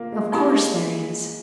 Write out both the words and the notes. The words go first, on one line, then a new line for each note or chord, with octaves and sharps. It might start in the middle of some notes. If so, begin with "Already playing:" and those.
Of course there is.
Already playing: A#3 F4
G#3
A#3 C4 E4 G4
G#3